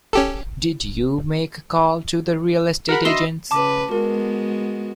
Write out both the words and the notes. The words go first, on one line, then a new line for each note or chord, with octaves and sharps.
Did you make a call to the real estate agents?
C#4 G4 A4
F#4 G#4 A#4 F#5 B5
D4 F#4 B4 D#5 E5 C6
C#3 B4 A5 D6
G#3 B3 F#4 A#4